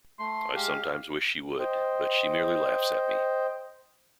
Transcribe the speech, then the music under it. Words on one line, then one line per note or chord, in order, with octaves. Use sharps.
I sometimes wish she would; but she merely laughs at me.
A3 C6
G#3 G4 F5
C5 D#5 G5